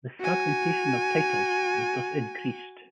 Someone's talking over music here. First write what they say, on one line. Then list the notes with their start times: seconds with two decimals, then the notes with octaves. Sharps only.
The fragmentation of titles was thus increased.
0.20 F#4 G#5